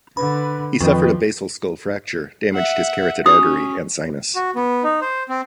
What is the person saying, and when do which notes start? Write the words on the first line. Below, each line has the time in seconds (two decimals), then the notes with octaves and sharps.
He suffered a basal skull fracture, damaged his carotid artery and sinus.
0.17 D3 B4 B5
0.81 F2 D#3 F3 B4 D#5 G5
2.54 E5 F#5
3.26 C#4 F#4 D#6
4.36 F#4
4.56 B3
4.83 D#4
5.01 C5
5.29 C4